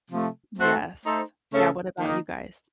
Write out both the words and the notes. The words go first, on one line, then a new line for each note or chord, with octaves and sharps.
Yes. Yeah. What about you guys?
C3 F3 A3
A3 C4 F#4 A4 C5
A3 D#4 A4 C5
C#3 A3 C#4 A4
D#3 A#3 D#4